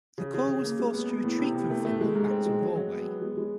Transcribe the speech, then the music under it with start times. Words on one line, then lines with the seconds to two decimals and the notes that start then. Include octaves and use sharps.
The corps was forced to retreat from Finland back to Norway.
0.18 C#3
0.34 C#3
0.48 C#3
0.64 A#3
0.79 G#3
0.94 B3
1.10 B3
1.24 A2
1.39 C3
1.54 C3
1.70 A3
1.85 A3
2.01 G#3
2.15 G#2
2.30 C4
2.46 G#3
2.61 F#3
2.75 F#3
2.90 B3
3.07 B3
3.22 G#3
3.37 G#3